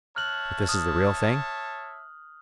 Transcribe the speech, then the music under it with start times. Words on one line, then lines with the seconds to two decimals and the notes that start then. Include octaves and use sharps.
"But this is the real thing?"
0.16 C#5 E5 A5 F6 F#6 F#7
0.69 D#6 F6